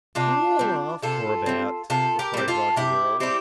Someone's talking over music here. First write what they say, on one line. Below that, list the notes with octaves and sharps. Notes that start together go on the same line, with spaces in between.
"Cool off, Corbett," replied Roger warily.
C3 D4 F4
G3 C4
C3 F4 A4
G3 C4
C3 F4 A4
G4 A#4
G3 C4 G4
F4 A4
C3 E4 G4
G3 C4 E4 G4